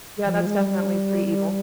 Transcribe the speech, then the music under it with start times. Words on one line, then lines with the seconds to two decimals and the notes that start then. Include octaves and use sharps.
Yeah, that's definitely pretty evil.
0.25 E3
0.29 F3
0.46 G#3
0.58 G3